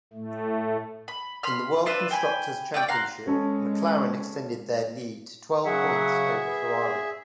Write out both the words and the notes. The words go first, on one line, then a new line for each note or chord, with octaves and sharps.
In the World Constructors Championship, McLaren extended their lead to twelve points over Ferrari.
A2 A3
B5
B5 C6 F6
D4 F4 B4 E5
G5 G#5 B5
A3 D5 G5
F5 F#5 A#5 C6
G#3 C#4 A4
C#3 F#3 G#4 E5 F#5
B3